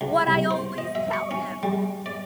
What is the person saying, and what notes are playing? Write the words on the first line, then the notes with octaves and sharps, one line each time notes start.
What I always tell him!
C#2
C2
C5
D#5
E5
C#6
C#4
G3
D5